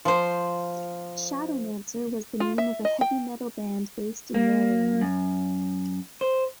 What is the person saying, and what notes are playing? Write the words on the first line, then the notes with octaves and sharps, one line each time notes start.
Shadowmancer was the name of a heavy metal band based in Maryland.
F3 C5
F4
E5
D#5
G5
A#3
F#2
C5